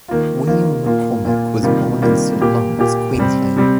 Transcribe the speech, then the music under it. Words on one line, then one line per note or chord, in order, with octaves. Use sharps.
William McCormack was born in Saint Lawrence, Queensland.
D#3 A#3 F4
D#3 A#3 F4
A#2 A#3 F4
A#2 A#3 F4
C3 D#3 G3 A#3 F4
C3 D#3 G3 A#3 F4
A#2 A#3 G4
A#2 A#3 G4
C3 G3 C4
C3 G3 C4